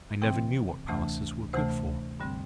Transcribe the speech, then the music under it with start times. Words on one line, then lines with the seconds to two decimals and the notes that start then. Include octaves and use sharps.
I never knew what palaces were good for.
0.21 C3 E3 C4 G5
0.88 D2 C3 E3 A3
1.53 D2 C3 E3 A3 C5
2.20 G2 D3 G3 C4